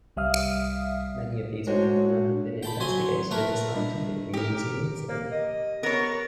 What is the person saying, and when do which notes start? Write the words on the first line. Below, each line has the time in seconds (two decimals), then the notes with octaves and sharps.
Many of these phenomena have been investigated in the scientific community also.
0.17 C2 G3 E5 F5 D#6 F6
1.67 G#3 D4 F#4 C5 C#5 F#5
2.63 G5 A5 B5
2.80 F#3 C5 G#5
3.31 A3 A#4 B4
3.74 G3 D4
4.34 G4 A#4
5.08 A#3
5.31 D#5
5.83 B3 A#4 C#5